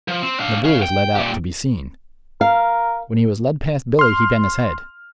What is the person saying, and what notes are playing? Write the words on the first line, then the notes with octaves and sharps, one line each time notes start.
And the bull was led out, to be seen. When he was led past Billy he bent his head.
F3
C4
D4 F5
C#4 F5
G5
A#2 G4
A#4 F5
C6 F6